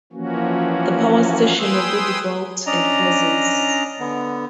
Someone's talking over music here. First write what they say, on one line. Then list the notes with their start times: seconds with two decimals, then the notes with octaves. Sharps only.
The power station will be developed in phases.
0.13 E3 F3 A#3 C#4 F#4
1.58 G#4 B4 G5 C6 D#6 E6
2.66 C#4 D4 D5 D#5 A#5
3.99 D3 B3